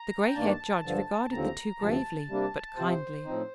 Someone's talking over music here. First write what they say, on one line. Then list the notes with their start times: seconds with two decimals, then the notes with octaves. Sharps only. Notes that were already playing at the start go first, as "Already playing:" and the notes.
The gray-haired judge regarded the two gravely but kindly.
Already playing: A#5
0.26 G5
0.35 G2 D#3 A#3 D4 A5
0.84 G2 D3 F3
1.31 D#2 D3 F3 C4 A#5
1.80 D2 C3 F3 A5
2.29 C3 G3 A#3 D4
2.77 C3 F3 C4 C5
3.25 A2 F3 C4 D#4